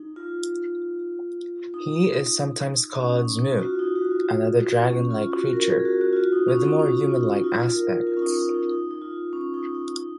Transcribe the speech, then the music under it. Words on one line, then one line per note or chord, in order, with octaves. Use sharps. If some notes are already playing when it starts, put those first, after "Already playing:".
He is sometimes called "zmeu", another dragon-like creature, with more human-like aspects.
Already playing: D#4
F4
D#4
D#4
C#4
D#4
F#4
F4
F4
D#4
F#4
F4
C#4
F4
F#4
A#4
G#4
G#4
F#4
F#4
F4
F#4
D#4
C#4
D#4
C#4
F4
D#4
D#4
F4
A#4
F4
C#4
D#4
C#4
D#4
D#4
D#4
F4
C#4
D#4
D#4
D#4